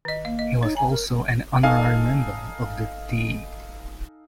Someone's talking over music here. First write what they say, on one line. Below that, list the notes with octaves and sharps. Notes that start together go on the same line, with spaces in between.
He was also an honorary member of the D.
D#3 D#5
A#3 F5
D#5
D#4 C#5
G#5 A#5
A#4
D#4 A4 F5 G#5